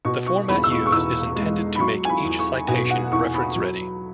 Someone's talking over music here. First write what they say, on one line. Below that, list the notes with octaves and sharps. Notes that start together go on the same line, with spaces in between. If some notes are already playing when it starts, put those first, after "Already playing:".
The format used is intended to make each citation reference-ready.
B2 C#6
C#6
E1 B5
E6
C#6
C#6
E2 E6
G#3
B5
F#3 C#6
G#5
B5
E2
C#6
B2 G#5
F#5
E2 C#6
B5
F#3